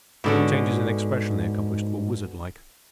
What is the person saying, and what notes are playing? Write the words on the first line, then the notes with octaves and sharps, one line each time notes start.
The changes in expression they accomplished were wizard-like.
G#2 B2 D3 C#4